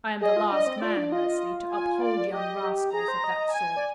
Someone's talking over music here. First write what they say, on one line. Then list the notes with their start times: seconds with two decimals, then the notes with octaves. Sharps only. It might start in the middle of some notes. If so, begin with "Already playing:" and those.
I am the last man, Leslie, to uphold young rascals of that sort.
0.21 G#4 D#5
0.37 F4
0.51 D4 D#5
0.67 C4
0.81 F4 D5
0.97 D4
1.12 F4 D#5
1.72 G#5
2.02 D5
2.33 G4 D#5
2.62 G4
2.93 G#4 A#5
3.08 C5
3.24 D#5
3.53 G#5
3.76 D5